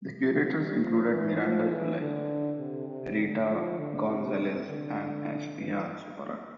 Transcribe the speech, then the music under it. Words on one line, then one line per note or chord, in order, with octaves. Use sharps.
The curators included Miranda July, Rita Gonzalez, and Astria Suparak.
F3
G3
F3
E3
F3
E3
D3
C3
C3
D3
F3
D3
C3
D3
E3